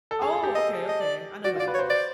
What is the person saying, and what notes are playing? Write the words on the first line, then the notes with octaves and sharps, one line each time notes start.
Oh, okay, okay, I know who that is.
A4
G#4
G#4
G4
D#5
D#5
D5
F#4 D5
F4 D5
B4
C#5
C5
D5